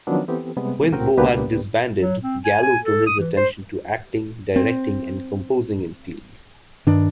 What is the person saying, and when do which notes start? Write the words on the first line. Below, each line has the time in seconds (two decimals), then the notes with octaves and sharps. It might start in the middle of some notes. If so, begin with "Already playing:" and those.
When Bohack disbanded, Gallo turned his attention to acting, directing, and composing in films.
0.07 D#3 F3 F#3 B3 C#4 D4
0.28 E3 B3 C4 G4 A4
0.57 C3 G3 G#3 B3
0.92 C#2 A2 C4 F#4 A#4 G5
1.17 C#2 A#3 B3 D4 G4 B4
2.01 F#3
2.23 C4
2.45 G#5
2.63 G#5
2.84 A4
3.07 D#6
3.19 E3
3.37 C5
4.56 C4
6.87 G2 D#3 D4